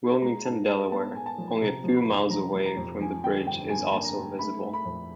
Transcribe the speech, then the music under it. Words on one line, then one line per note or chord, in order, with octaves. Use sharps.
Wilmington, Delaware, only a few miles away from the bridge, is also visible.
G#3 A#5
G#2 A5
G#3 A5
B3 A5
B3 G#5
A5
F3
C3 A#5
F3
B5
F2
F3 A#5
F3
A#5
F2
F3 G#5
D3 G5
G2 G5
G2 G#5
A#3 A5
A#5
G2
A3 B5
A3
B5
F2